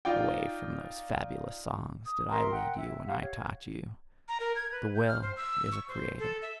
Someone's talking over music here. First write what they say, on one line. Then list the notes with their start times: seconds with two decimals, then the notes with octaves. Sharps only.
Away from those fabulous songs did I lead you when I taught you: "The Will is a creator."
0.05 D#4 F4 D5 G5
2.06 D#6
2.30 A#4 E5 A#5 C6
2.50 F#5 G5
2.76 E5
3.06 G4 F5 F#5
3.19 C#5
4.28 A#5
4.40 A#4
4.56 G#6
4.72 B4
4.94 G6
5.07 F6
5.22 C5
5.36 E6
5.72 C#6
5.88 C5
6.20 A4
6.42 E5